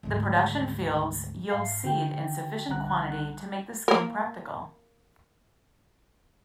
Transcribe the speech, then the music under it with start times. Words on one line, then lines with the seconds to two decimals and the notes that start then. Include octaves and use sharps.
The production fields yield seed in sufficient quantity to make the scheme practical.
0.03 G#1 D2
1.50 G#2 E5 F5 A5 C7
1.84 D3 F#4 G5
2.68 B1 D3 G3 F#5 A#5 F#6
3.88 A#3 A#4